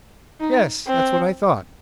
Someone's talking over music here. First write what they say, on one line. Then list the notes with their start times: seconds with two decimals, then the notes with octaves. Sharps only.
Yes: that's what I thought....
0.40 D#4
0.87 C4